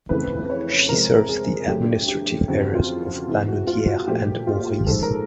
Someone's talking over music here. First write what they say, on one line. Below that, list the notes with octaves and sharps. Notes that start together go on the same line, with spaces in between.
She serves the administrative areas of Lanaudière and Mauricie.
F2 C#3 E3 A3 B4
C#5
C3 F3 G#3 A#4
G#4
G2 D3 F#3 A3 G4
G4
F2 C#3 E3 F#4
F4
C3 E3 G#3
F#4
F4
F#4
A#2 F3 A3 G4
F4
G#2 F3 G#3 A4
A#4